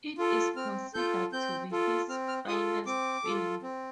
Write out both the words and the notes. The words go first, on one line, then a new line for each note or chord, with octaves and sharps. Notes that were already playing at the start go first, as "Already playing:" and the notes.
It is considered to be his finest film.
F4 A4
C4 F6
F4 A4 G6
C4 G6
F4 A4
C4 F6
F6
F4 A4 D#6
C4 D6
F4 A4
C4